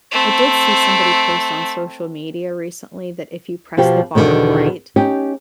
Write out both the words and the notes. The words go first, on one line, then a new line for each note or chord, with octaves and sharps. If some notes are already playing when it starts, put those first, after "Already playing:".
I did see somebody post on social media recently, that if you press the bottom right
A3 C4
B2 F3 G4
E2 B2 D3 D#3
C#4 D#4 G4